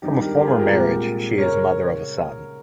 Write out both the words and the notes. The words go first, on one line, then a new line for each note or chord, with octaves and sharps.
From a former marriage she is mother of a son.
G#1 G2 G3 D#4 G4
G4 A#4
G4 A#4
F4 G#4
G4 A#4
C2 A#2 G#3 G4 A#4
C#3 A#4 C#5